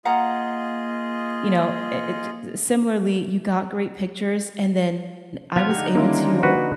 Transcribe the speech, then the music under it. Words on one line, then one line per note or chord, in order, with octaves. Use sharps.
you know, it it Similarly, you got great pictures, and then I was able to,
A#3 F4 G#4 D#5 F5 F#5 A#5
F3 B3 F4 F#5 F6 G#6
D3 D#4 G4
D#3 G3 A#3 C#4 E4 F4
F#4 B4